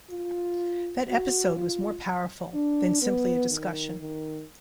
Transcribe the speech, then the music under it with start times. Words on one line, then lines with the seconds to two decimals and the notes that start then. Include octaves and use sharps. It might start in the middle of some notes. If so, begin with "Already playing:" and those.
That episode was more powerful than simply a discussion.
0.10 F4
1.08 F#4
1.56 F4
2.54 D4
3.02 B3
3.51 D#3
4.00 D#3